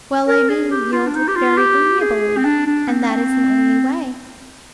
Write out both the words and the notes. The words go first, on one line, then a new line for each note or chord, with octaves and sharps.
'Well, Amy, you yielded very amiably, and that is the only way.
A#4
G#4
G4
F4
D4
D#4
G4
F4
G4
G#4
C4
D4
D4
C4
C4